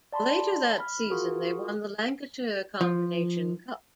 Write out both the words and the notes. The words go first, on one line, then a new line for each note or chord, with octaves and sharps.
Later that season they won the Lancashire Combination Cup.
D5 A5 B5 C6
B5 F6
F4 F#4 G#4 A#4
F3